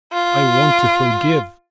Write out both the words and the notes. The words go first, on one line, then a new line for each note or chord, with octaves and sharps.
I want to forgive.
F4